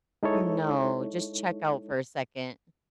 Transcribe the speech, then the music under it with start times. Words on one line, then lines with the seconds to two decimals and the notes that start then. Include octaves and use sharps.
Mm, no just check out for a second.
0.23 G#3 D#4 E4 A4 C#5